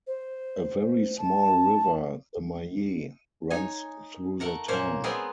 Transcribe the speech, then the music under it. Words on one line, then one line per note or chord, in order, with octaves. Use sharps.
A very small river, the Maye, runs through the town.
C5
A5
D#4 C#5 G#5
A3 A#4 F#5 A#5
A#2 A#3 C#4 A#4 C5 F#5
G#3 B3 C4 G#4 A#4 B4